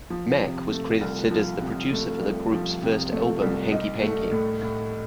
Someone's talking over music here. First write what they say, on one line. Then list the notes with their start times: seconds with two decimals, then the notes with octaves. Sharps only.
Mack was credited as the producer for the group's first album, "Hanky Panky".
0.10 F3
0.41 C3
0.71 A3
1.01 C2
1.31 F3
1.61 C3
1.92 A3
2.21 C2
2.52 F3
2.82 C3
3.12 A3
3.42 C2
3.72 D#4
4.02 A3
4.31 A2
4.61 A2